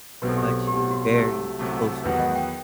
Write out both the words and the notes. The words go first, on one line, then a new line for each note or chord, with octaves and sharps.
touchy, very close with me,
B1 B2 F#3 C4 B4
A4
G4
A4
B1 B2 F#3 C4 G4
G4
F#4
G4
C2 C3 F#3 A3 G4
C2 C3 F#3 A3
E2 D#3 F#3 B3 F#4 B4
D#5
G5